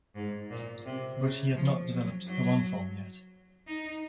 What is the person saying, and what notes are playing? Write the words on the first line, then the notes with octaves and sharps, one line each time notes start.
But he had not developed the long form yet.
G#2
A#2
C3
C#3
F3
F#3
F#3
D#4